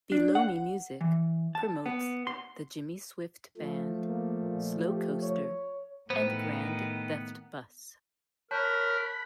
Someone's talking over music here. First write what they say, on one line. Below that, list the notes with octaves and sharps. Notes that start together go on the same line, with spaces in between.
BelowMeMusic promotes the Jimmy Swift Band, Slowcoaster, and Grand Theft Bus.
D4
F#5
E3
A5
B3
C6
F3 A3
A#3
A#2
G4
C#5
A2 D#3 B3 C5
A#4 C#5 A5 B5 F#6 G6